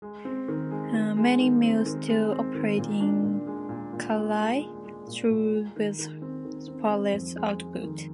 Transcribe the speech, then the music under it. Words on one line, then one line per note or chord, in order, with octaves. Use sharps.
Many mills still operate in Kallai, though with far less output.
G#3
C4
D#3
G#3
D#3
G#3
D#3
C4
D#3
G#3
C4
D#3
A#2
D4
A#2
G#3
A#2
A#2
G#3
G#3
G#3
G#3
A#2
A#2
G#3
D#3
D#3
C4
D#3
C4
C4
F2
G#3
G#3
D#3